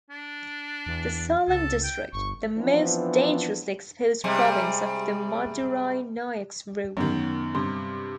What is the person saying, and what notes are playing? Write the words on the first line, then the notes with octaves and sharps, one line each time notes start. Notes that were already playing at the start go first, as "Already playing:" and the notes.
The Salem district, the most dangerously exposed province of the Madurai Nayaks rule.
D4
E2
C#2 A4
G5
G1 C#6
E3 F3 B3 C4 D4
C3 G3 G#3
F#2 D#3 F#3 B3
G2 C3 C6